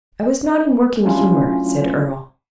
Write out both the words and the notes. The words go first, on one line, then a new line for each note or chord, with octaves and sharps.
"I was not in working humor," said Earle.
F#3 A3 C#4 D4 E4 F4